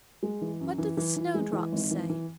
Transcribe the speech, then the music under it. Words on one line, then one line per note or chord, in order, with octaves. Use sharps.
What did the Snowdrops say?
G#3
E3
F#2
E3
E3
E3
G#3
E3
G#1
E3
E3